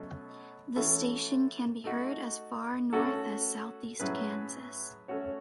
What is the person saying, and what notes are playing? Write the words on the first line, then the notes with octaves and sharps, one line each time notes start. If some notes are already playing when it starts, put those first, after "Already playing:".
The station can be heard as far north as southeast Kansas.
Already playing: B2 F#3 A3 C#4
E3 A3 C#4 F#4 A4
A3 D#4 F#4
A3 C#4 F#4 A4
A2 F#3 C#4 G#4 B4
A3 C#4 F#4 C#5